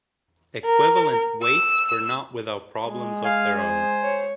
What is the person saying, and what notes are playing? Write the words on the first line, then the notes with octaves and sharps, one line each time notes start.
Equivalent weights were not without problems of their own.
A#4
E6
G#3
F5 G#5
C5
C#5